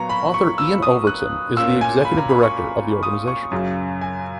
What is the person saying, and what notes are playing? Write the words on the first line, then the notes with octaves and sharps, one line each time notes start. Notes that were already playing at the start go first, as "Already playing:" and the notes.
Author Iain Overton is the Executive Director of the organisation.
Already playing: A#2 F#3 B3 A#5 C#6
B5
C#6
E6
D#6
F#6
A#2 A#3 C#4 E6
G#5
B5
A#5
B5
C#6
D#6
C#6
F#2 C#3 F#3
G#5